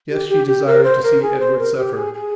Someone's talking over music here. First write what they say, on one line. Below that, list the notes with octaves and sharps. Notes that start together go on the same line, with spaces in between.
Yes, she desired to see Edward suffer.
G4
G4
G4
A#4
C5
A#4
G#4
C5
A#4
G4
G#4
G#4